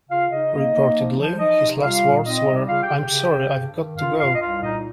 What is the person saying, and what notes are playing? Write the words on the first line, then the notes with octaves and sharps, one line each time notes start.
Reportedly his last words were, I'm sorry, I've got to go.
C#3 F4 F5
C#3 D#4 D#5
A#3
A#3
F3
F3
F3 D#4 D#5
C3
G3 F4 F5
A#2
C4 D#4 D#5
G3
C#3 F4 F5
G4 G5
C#3
G4 G5
C#3
C#3
G2
D#3
G2 F4 F5
G2 F4 F5
D#5
C2 F4 F5
A#2 D#4 D#5